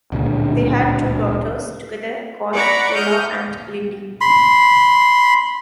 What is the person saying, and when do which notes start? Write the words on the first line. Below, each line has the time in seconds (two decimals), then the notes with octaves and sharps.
They had two daughters together called Della and Lindy.
0.12 D1 C#2 A#2 D3
2.53 D5 F#5 A#5 B5 C#6
2.94 D#6 F6 G6
4.21 B5 C6